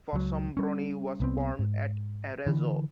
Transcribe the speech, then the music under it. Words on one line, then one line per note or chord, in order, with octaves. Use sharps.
Fossombroni was born at Arezzo.
C#2 F#3
G3 C#4
C2 B3 C4
G#2
D3 E3